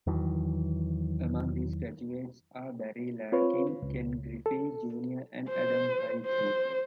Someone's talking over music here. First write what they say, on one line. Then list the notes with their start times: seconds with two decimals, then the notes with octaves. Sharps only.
Among these graduates are Barry Larkin, Ken Griffey, Junior and Adam Hyzdu.
0.07 E2 D#3 E3 F#3
3.32 C4 F4 B4 C#5
3.82 C#2
4.46 A4
5.49 C5
6.26 C5